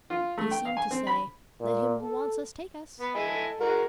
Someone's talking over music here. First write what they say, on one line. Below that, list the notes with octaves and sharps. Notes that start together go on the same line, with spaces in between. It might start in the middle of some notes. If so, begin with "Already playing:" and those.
They seemed to say, "Let him who wants us take us!"
F4
A3
G5
F5
G#5
C4
B5
A#2
A4
B3
E4 G#4 D#5 G#5
A4
G#3 F#4 A#4